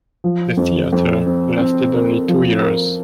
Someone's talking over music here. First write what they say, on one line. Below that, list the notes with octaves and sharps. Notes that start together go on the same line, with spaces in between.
The theatre lasted only two years.
F3
F2
F2
C4
C4
A#4
F3
A#4